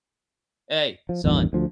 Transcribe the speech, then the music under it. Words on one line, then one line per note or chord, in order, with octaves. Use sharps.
"Hey, son,
F3
A1 E2 G2 D#3
D2 F3